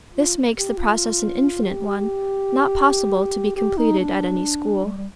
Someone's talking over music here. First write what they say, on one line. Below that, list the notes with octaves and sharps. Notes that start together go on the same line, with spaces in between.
This makes the process an infinite one, not possible to be completed at any school.
F4
G4
F4
G4
G4
D#4
D4
G3
G3